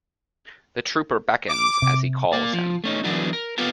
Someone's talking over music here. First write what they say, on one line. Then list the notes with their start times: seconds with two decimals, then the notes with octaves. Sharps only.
The trooper beckons as he calls him.
1.50 D6
1.82 C3
2.33 A#3 D5
2.53 F3
2.84 A3 C#4 D#4
3.04 D3 E3 F#3 B3 D4 A#4
3.33 A#4
3.58 B3 F4 G4 A4 A#4